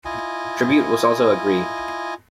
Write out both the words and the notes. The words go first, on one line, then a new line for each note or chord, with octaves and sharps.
Tribute was also agreed.
E4 F4 D#5 G#5